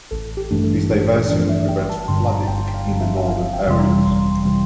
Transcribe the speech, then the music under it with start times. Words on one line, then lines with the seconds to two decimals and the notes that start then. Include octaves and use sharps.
This diversion prevents flooding in the northern areas.
0.11 A1 A4
0.37 G4
0.51 G2 E3 A3 D4
0.64 A4
0.90 A1 A4
1.01 A4
1.10 A#4
1.29 G2 E3 A3 D4 D5
1.49 E5
1.69 G1 G5
1.89 A5
2.08 G2 D3 C6
2.29 A#5
2.47 G1 G5
2.74 F5
2.87 G2 D3
3.00 E5
3.17 E5
3.27 G1 F5
3.44 F5
3.53 G5
3.66 F2 C3 E3 G3 C6
3.79 A#5
4.05 G1 C6
4.32 C6
4.45 C3 E3 G3